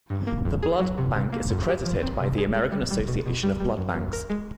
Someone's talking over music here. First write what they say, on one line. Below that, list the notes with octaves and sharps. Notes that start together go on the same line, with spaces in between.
The blood bank is accredited by the American Association of Blood Banks.
G2
A#3
F2
G#4
F#3
C3
C3
A#3
F#2
G4
F3
C4
C3
G#4
G#3
G3
G3
B2
B2
G3
G3
F#2
F#2
A#4
G#3